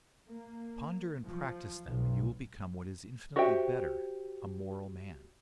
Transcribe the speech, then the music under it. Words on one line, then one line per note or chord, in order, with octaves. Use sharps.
Ponder and practise them, and you will become what is infinitely better--a moral man.
A#3
F3
B1
F#4 G4 C5 E5 G5